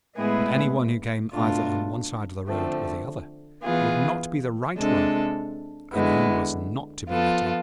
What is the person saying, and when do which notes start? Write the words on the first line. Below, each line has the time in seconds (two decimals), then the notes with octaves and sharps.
But any one who came either on one side of the road or the other would not be the right one, and he was not to be let in.
0.17 A2 G#3 B3 E4 G#4
1.32 B2 A3 D4 F4
2.47 D3 F3 A3 C4
3.63 E3 B3 F4 G#4
4.78 C3 G#3 D4 A4
5.92 D3 G#3 B3 E4
7.08 F3 B3 F4 A4